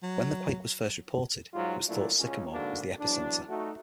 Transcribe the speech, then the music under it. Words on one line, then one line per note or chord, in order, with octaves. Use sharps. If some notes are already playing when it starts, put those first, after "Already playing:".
When the quake was first reported, it was thought Sycamore was the epicenter.
F#3
G#2 F#3 G3 F4
A#2 F#3 A3 D4 E4
C#2 C#4
G#2 D3 A#3 D4 F#4
E2 F#3 D4
A3 D#4 F#4